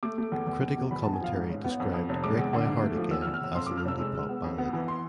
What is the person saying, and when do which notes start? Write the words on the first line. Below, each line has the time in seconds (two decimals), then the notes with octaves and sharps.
Critical commentary described "Break My Heart Again" as an indie pop ballad.
0.03 A3 D6
0.18 A3
0.32 E2
0.47 E2
0.61 E2
0.77 B2
0.91 E2 B5
1.02 E2 A5
1.13 G#5
1.21 F3 F5
1.35 G#2
1.50 A1
1.64 B3
1.80 F2
1.94 F2
2.09 F1
2.24 G#3 D6
2.38 E2
2.53 D3
2.67 G#2
2.82 A3
2.97 F3
3.11 E2 E6
3.22 F6
3.27 E2
3.34 F6
3.41 E1 E6
3.55 F2 C6
3.66 F3 D6
3.77 F6
3.85 F1 E6
4.00 G#3
4.14 G#3
4.29 B3
4.44 F2
4.58 B3
4.73 E3
4.88 C6